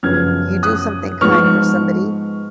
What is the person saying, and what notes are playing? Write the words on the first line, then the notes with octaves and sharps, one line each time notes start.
you do something kind for somebody
F#2 C#3 F3 B3 F6 G#6
D#6 F#6
G#2 F3 B3 C#6 F6